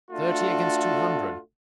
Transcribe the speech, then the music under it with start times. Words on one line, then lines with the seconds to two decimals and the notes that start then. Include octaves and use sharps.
Thirty against two hundred!
0.11 A3 D4 F4 F#4 A4